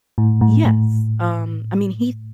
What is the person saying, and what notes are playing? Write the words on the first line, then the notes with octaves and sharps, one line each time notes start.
Yes. Um, I mean, he
A2
A2
A2